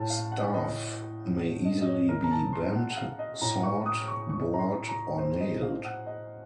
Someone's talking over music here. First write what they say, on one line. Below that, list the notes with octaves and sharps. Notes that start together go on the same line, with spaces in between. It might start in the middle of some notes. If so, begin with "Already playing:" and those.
Staff may easily be bent, sawed, bored, or nailed.
Already playing: A2 A5
F5
F#5
D#5
D#5
D#5
C#5
A#4
A#5
A5
C6
F#5
F#5
F5
D#5
A2 A#5
C#6
D#6
C#6
C#6
A#5
C6
A#5
C5
D#5
F5
F#5
D#5